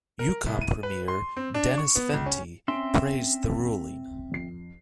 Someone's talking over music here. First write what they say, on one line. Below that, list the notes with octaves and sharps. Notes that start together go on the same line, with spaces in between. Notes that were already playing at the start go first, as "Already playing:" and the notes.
Yukon premier Dennis Fentie praised the ruling.
A#4
C2
D#7
B4
C6
C4
D4
C#6
B3
C#2
C#4
C4 C#4 E5 C6 D7
F2 C7